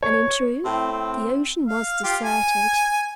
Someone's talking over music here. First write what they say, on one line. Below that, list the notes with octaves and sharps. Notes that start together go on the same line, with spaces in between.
And in truth, the ocean was deserted.
C#5
A2 C4
C4
F5
F4 G4
G#5